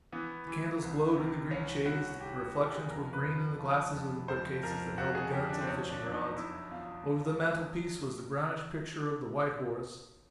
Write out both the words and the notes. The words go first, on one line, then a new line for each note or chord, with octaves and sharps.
The candles glowed in the green shades; the reflections were green in the glasses of the book-cases that held guns and fishing-rods. Over the mantelpiece was the brownish picture of the white horse.
E3 B3
E3
C2
C3
C2 C#4
C2 F#4
C2 G4
E3 G#4
A4
G#4
F2 A#4
B4
F2
F3
F2
F2 C5
F2 A#4
F2 F#4
G#4
F2 G4
D4
C4
E2 C#4
D4
F#3
D#4
B2 E4
B2 F4